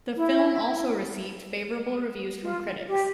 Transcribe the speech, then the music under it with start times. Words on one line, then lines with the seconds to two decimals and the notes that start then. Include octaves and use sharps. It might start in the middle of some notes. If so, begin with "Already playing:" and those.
The film also received favourable reviews from critics.
0.15 E4
2.42 F4
2.87 G4